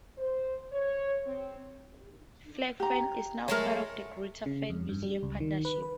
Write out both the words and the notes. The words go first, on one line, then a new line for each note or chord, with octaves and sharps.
Flag Fen is now part of the Greater Fens Museum Partnership.
C5
C#5
C4
G4 A#5
F#3 G#3 A3 A#4 C#5
C#3
F2
G2
G3
C#2
D#3
B4
B4